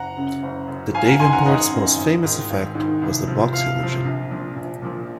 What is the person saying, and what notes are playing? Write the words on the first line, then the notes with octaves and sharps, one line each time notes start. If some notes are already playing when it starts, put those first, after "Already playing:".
The Davenports' most famous effect was the box illusion.
Already playing: F#1 F#5 A#5
F#2 C#3
F#1
F#2 C#3
G#1 F5 G#5
F#5 A#5
F#2 D#3 G#5 C6
F#5 A#5
G#1 D#5 F#5
F#2 D#3
G#1
G#2 D#3
G#1
G#2
D#3
C2
C3 F3
C2 F5
C3 F3
A#1
A#2 F3
A#1
A#2 F3